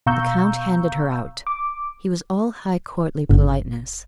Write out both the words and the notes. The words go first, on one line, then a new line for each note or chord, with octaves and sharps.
The Count handed her out; he was all high courtly politeness.
B2 F5 A#5 C#6 E6 G6
D6
G1